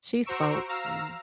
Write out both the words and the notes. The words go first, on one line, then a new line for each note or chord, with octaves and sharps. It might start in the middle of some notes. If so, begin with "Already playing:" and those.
she spoke and
F#4 C5 A#5 C#6 E6 D7
F5 A#5 E6